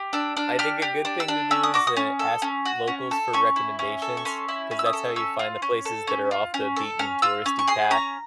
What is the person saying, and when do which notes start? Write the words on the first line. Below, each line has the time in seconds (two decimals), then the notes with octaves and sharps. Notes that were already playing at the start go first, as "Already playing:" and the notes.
I think a good thing to do is, uh, ask locals for recommendations, 'cause that's how you find the places that are off the beaten touristy path.
Already playing: G4
0.13 D4 E6
0.37 D4 F6
0.59 G4 F6
0.82 G4
1.05 D4
1.20 E6
1.28 D4
1.51 C#4 E6
1.63 D#6
1.74 F#4 D6
1.87 D#6
1.97 C#4
2.19 A4
2.42 C#4
2.65 F#4
2.87 C#4
3.11 A4
3.33 C#4 C#6
3.56 E4
3.79 C#4
4.02 A4
4.17 C#6
4.25 C#4 C6
4.48 E4
4.71 C#4
4.79 E6
4.86 D#6
4.93 A4
5.16 C#4 E6
5.39 F4
5.62 C#4
5.85 A4
6.07 C#4
6.31 F4
6.54 C#4
6.76 A4
6.99 C#4 F6
7.22 F4 E6
7.46 C#4
7.59 C#6
7.68 G#4 C6
7.91 C#4 A#5